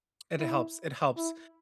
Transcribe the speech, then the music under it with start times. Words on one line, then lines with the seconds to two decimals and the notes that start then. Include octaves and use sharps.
it helps it helps
0.39 E4
1.17 E4